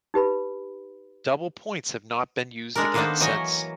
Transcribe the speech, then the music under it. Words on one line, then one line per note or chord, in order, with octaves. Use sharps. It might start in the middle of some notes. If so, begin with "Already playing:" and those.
Double points have not been used again since.
D#4 G4 B4 B5
G#3 D4 A4 A#4
D#3 A#3 B3 D4 A4 C5
E3 F#3 C#5 D#5 G#5 A#5